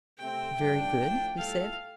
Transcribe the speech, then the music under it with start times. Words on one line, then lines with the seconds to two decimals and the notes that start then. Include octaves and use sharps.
Very good, he said.
0.18 C3 A3 C4 G5
0.58 G2 D3 F3 D4
0.98 A2 F3 D4
1.37 A2 G3 F4 A4 F5